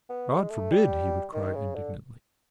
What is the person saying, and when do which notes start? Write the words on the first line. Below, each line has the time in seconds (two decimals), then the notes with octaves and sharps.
"God forbid!" he would cry indignantly.
0.09 B3
0.30 G#3
0.50 A3
0.71 G3
1.34 D#3
1.55 C#3
1.75 D3